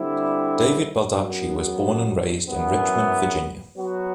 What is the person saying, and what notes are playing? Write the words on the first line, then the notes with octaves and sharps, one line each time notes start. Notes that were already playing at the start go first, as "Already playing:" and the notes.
David Baldacci was born and raised in Richmond, Virginia.
Already playing: D3 G3 C4 E4
F#2 F#3 B3
F#2 E3 B3
F#3 B3 F#4